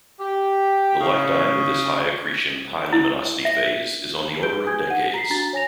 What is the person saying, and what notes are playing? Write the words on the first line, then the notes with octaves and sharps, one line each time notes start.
The lifetime of this high-accretion, high-luminosity phase is on the order of decades.
G4
C#3
E4
E5
G#4 B4 G6 D7 G7
G#5 D#6 G6 G#6
D#4 F#5 D#7
A#5 B6 C7
D4 F#4 A#5 A6
C#5 G#5 A#6 F7